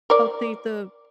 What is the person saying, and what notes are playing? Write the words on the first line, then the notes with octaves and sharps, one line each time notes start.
update the
A#4 D5